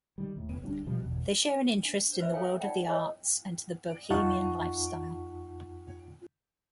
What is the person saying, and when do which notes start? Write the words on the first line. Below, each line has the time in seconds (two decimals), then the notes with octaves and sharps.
They share an interest in the world of the arts and the Bohemian lifestyle.
0.18 D#3 G3
0.36 D#2 A2
0.49 F1 B3
0.62 D1 G3 C#4 D4
0.86 B2 F3 G3
1.01 G1 E2 B2
1.85 D4
2.20 B4 C5 E5
2.34 A4 C#5 F5 G5 G#5
2.61 D#4 F4 D5 F#5 G5
2.87 E4 G#4 B4 C#5 D#5
4.10 F2 D#4 F4 F#5 A5 C#6